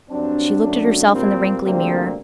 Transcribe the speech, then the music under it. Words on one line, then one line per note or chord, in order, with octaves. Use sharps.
She looked at herself in the wrinkly mirror.
G2 F#3 C4 D4
F#2 F#3 A3
A#2 G3 A#3 C4
D2 C3 G3 A#3 C4